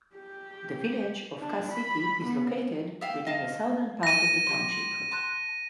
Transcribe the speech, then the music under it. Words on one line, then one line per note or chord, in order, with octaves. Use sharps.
The village of Cass City is located within the southern part of the township.
G4
D4
B5
B3
E5 F5 G5
D#5 F5 A5
A#6 D#7
G4 C6
A5 C6 F#6